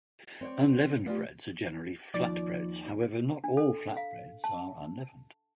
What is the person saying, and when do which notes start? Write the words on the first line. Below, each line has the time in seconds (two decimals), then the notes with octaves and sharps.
Unleavened breads are generally flat breads; however, not all flat breads are unleavened.
0.41 C4 C#5 D5
1.06 A3 B3 F4 G4 D5
2.14 D#2 F3 D5
3.44 D4
3.57 A4
3.97 F5
4.44 A5